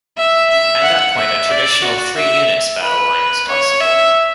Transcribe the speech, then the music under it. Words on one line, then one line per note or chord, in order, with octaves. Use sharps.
At that point a traditional 'three units' battle line is possible.
E5
E5
F#5
E5
D5
F#4
E5
B4
C#5
E5